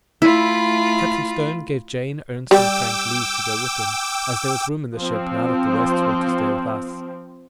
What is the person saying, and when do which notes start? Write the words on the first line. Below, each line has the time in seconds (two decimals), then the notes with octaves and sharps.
Captain Stone gave Jane, Ernest, and Frank leave to go with him, as there was room in the ship now that the Wests were to stay with us.
0.22 A3 E4 F4 B5
2.51 G3 G5 D6 E6
4.96 F3 C4